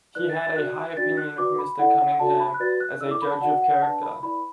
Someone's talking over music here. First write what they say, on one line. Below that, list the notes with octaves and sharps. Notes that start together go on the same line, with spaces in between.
He had a high opinion of Mr Cunningham as a judge of character.
E4 B4 D5 F#6
A6
A6
F#4 D5 F#6
D4 F#4 D5 A6
F#6
F#4 B4 D5 D6
B5
E4 A4 D5 F#5
D4 F#4 A4 D5 A5
B5
F#6
F#4 B4 D5 A6
F#6
E4 A4 D5 E6
D6
B5
A5
F#4 D5 F#5
F#5
D4 B4 D5 A5
B5
E4 B4 D5 B5